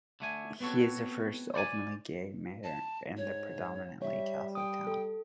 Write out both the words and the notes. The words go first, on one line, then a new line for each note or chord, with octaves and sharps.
He is the first openly gay mayor in the predominantly Catholic town.
D3 A3 G#5
B3 C4 F#4 A4 C#5
C5 D5 F#5 G#5
A5
G#2 C#5
G3 C#5 E5
G5 D#6
A4